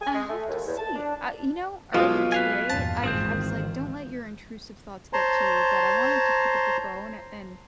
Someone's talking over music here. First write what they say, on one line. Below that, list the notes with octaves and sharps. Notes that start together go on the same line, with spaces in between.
I'll have to see, I you know, earlier today, I ha was like, "Don't let your intrusive thoughts get to you," but I wanted to to pick up the phone a and,
G#5
G#3
A3
D#2
E2
A5
D4
B1 F3 G#3 F4
B4 F5 G#5
E2 G2 A#2 A5
G#1 D#3 E3 C4 G#4 C5
C5 C#5 A5 A#5 C6